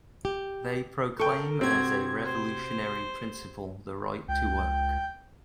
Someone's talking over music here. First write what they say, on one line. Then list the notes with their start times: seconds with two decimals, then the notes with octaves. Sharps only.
They proclaim as a revolutionary principle the Right to Work.
0.25 G4
1.19 A4 A#4 G5 C#6
1.61 C3 C4 F#4 G4 G#6
2.24 C5
4.28 C#2 G5